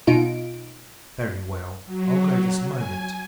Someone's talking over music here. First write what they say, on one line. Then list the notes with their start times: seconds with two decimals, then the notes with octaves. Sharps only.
Very well, I'll go this moment.
0.07 B2 D#4 F4 D7
1.86 F#3
2.71 G#5